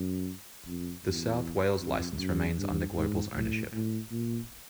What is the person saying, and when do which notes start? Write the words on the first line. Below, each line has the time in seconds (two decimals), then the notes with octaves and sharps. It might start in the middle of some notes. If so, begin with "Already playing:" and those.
The South Wales licence remains under Global's ownership.
Already playing: F#2
0.66 F2
1.04 E2
1.81 F2
2.19 F#2
2.58 G2
2.96 G#2
3.34 A2
3.73 A2
4.11 A#2